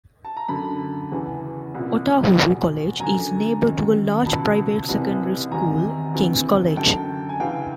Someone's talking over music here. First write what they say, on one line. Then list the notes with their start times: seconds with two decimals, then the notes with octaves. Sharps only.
Otahuhu College is neighbour to a large private secondary school King's College.
0.25 A5
0.37 A#5
0.48 F#2 D3 A5 B5
1.12 E2 C#3 E3
1.74 C2 A#2
2.37 E2 B2
3.00 F#2 D3 G#5 A#5
3.63 F#2 D#3
4.26 C#2 B2 A5 B5
4.89 C2 C3 E3
5.51 E2 C3 D#3 G#5 A#5
6.14 D2 C3 E3
6.77 F#2 D3 G5 A5
7.29 G#5
7.40 D2 C#3 E3 F5 G5